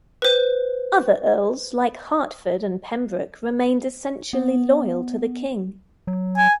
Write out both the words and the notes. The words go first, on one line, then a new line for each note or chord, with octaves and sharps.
Other earls, like Hertford and Pembroke, remained essentially loyal to the king.
B4 C5
B3
F#3
G#5